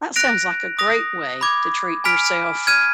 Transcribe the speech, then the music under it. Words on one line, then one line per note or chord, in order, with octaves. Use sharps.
That sounds like a great way to treat yourself,
F#6 A#6 D7 F7
D#6 A#6 F7
B5 D6 G#6
G#5 B5 F6 B6 D7
F6 G#6 D#7